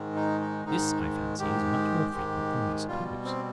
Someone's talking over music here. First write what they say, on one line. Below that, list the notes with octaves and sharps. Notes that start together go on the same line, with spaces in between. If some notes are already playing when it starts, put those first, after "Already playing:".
This, I fancy, is much more frequent than we suppose.
Already playing: G#2 D#3 G#3
D#4
D#4
G#2 D#3 G#3 D#4
G#2 D#3 G#3 G4
G#2 D#3 G#3
B2 G3 F4
C4